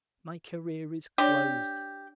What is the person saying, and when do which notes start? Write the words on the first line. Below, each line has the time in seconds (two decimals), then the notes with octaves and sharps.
My career is closed.
1.18 D4 G4 C#5 D5